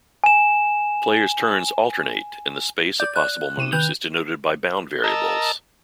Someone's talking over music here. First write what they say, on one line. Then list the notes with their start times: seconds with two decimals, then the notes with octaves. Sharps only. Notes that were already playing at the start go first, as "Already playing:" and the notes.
Players' turns alternate and the space of possible moves is denoted by bound variables.
0.24 G#5 E7
3.00 D5 G6
3.16 F#6
3.58 C3 D#7 E7
3.72 D#3 F#6 G6 F7
5.04 A#4 D#5 A5 E6